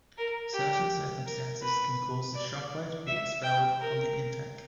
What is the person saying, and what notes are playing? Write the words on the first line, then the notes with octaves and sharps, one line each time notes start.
Certain circumstances can cause the shock wave to be expelled from the intake.
A#4
G4
A#4
B4
D5
E5
G5
A#4